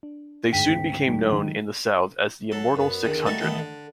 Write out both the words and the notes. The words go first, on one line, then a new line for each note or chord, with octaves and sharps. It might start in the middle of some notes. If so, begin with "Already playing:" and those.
They soon became known in the South as the Immortal Six Hundred.
D4
D2 G#2 G5 B6
C4 G#4
F#3 G#3 D#4
D#3
F#3 A4
F#2 B3
E2 D3 D#3
G3 A3 D#4 F#4 A4
A1 D#3 A3 B3 G5
D3